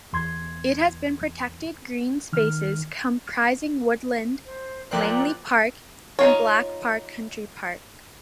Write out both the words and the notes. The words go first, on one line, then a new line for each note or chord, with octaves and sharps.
It has protected green spaces comprising woodland, Langley Park and Black Park Country Park.
E2 C6 G#6
D#3 F6
C5
A#2 F3 A#3 C5 D5 G5 D6 F#6
D#4 F4 C#5